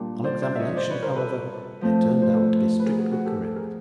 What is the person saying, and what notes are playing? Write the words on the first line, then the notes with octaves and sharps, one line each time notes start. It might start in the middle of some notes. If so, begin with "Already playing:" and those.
On examination, however, they turned out to be strictly correct.
Already playing: A#2 G3 D4
C5 D5
C5 D5
E5
C#5 D#5
C5 D5
B4 C#5
A#4 C5
A4 B4
F3 A3 C4
C5
A4 B4
B4
G#4 A#4
F#4 G#4
F#4 G#4
G4 A4
A4
G#4 A#4